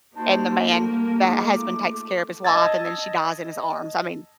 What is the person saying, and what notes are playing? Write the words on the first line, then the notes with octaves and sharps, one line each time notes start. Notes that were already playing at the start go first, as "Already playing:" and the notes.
and the man the, uh, husband takes care of his wife, and then she dies in his arms. I mean,
A#3 D#4 F#4 C5 A5
G3 A3 A#4
G#3 D#4 F4 D6
A3
D#5 A5 E6 G#6 A6